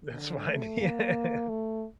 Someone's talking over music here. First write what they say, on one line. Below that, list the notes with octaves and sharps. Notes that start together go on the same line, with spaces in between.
That's fine. Yeah.
D3
A3
A#3
A3